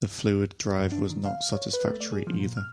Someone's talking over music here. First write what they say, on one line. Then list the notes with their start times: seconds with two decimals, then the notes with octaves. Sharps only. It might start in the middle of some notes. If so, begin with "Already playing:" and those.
The fluid drive was not satisfactory either.
0.80 F#2
0.92 D4
1.10 D#3
1.26 F5
1.53 C#5
1.73 B4
1.87 A3
2.00 D5
2.12 G#4
2.27 F3
2.40 A#2
2.57 F6